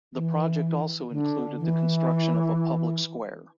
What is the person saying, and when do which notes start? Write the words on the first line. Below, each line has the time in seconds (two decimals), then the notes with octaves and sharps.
The project also included the construction of a public square.
0.14 E3
1.10 D3
1.58 E3